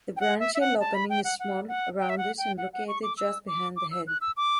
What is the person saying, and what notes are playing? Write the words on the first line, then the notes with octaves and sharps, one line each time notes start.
The branchial opening is small, roundish and located just behind the head.
G5
F#5
E5
E5
F#5
A5
B5
G5
F#5
F#5
F#5
G5
E5
F#5
G5
F#5
F#5
C#6
D6
E6
D6
D6
E6
F#6
E6
D6